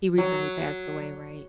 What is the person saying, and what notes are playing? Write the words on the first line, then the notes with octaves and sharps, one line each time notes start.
he recently passed away, right,
F#3